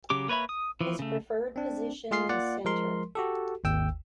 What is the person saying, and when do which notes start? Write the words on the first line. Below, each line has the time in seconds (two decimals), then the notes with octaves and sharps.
His preferred position is centre.
0.10 C#3 F#3 G4 D6
0.28 A#3 B4 C#5 E5 B5
0.49 D#6
0.81 E3 F3
0.99 C#3 A3
1.56 C4 D4
2.11 G#3 F4 G#4 F5 C6 C7
2.29 A#3 F4 D5 F#5
2.65 F3 G#3 A#4 C6
3.15 F#4 G4 A4
3.64 G#1 D#2 G5 E6